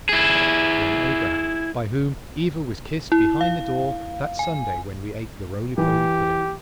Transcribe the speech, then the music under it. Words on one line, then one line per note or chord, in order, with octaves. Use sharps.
It was young Abraham, by whom Eva was kissed behind the door that Sunday when we ate the roly-poly pudding.
E4 G#4
E4
F5
G#5
E3 G4